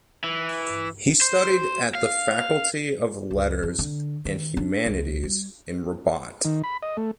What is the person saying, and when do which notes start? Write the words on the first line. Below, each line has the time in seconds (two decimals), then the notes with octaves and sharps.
He studied at the Faculty of Letters and Humanities in Rabat.
0.24 E3
1.21 C5
1.95 F5
3.31 C#2
3.63 F2
3.79 D3
4.25 D#3
4.57 D4
4.86 C#2
5.23 G3
6.45 D#3
6.64 B5
6.83 D#5
6.97 A3